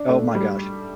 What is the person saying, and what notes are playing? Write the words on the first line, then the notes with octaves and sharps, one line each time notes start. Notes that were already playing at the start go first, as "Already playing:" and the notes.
Oh, my gosh.
Already playing: D4
A3
G3